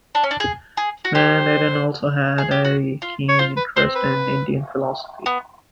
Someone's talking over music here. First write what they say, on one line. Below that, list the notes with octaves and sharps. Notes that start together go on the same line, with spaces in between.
Van Eeden also had a keen interest in Indian philosophy.
D4
C#4
D4
G#4
G#4
F#4
G4 C5
G#4
G4
F#4
F4
C#5
F4 C5
B4
C4 C5
B4
B3